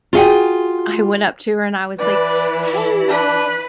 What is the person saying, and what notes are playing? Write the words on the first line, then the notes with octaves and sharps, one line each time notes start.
I went up to her, and I was like, "Hey,
F4 F#4 G#4 E5 F#5 G5
E3 E4 B4 D5
D4 B4